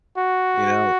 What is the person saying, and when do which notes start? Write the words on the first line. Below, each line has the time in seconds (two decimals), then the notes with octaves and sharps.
you know.
0.18 F#4